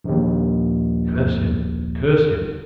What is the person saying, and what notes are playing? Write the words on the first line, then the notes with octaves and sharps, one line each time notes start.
Curse him! Curse him!
A#1 D#2